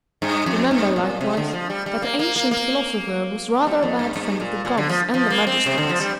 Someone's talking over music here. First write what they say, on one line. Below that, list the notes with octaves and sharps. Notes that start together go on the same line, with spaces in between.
"Remember, likewise, that the ancient philosopher was rather a bad friend of the gods and the magistrates."
G2
F2
G2
A#2
C3
D3
F3
G3
G3
A#3
A#3
A#3
A#3
G3
F2
G2
G2
A#2
A#2
D3
F3
F3
A#3
C4
C3
D3
F3
G3